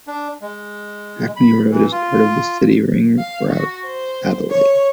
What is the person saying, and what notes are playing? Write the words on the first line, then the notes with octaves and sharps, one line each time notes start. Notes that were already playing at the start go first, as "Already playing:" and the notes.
Hackney Road is part of the City Ring Route, Adelaide.
D4
G#3
B5
E3
F4
F5
F#4
C5
C#5